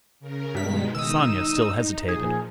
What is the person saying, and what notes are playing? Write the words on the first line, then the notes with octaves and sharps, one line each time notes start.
Sonia still hesitated.
C#3 A#4
G2 B2 D#3 G#3 B6
D#4 D#6 E6
A#2 F3 G#4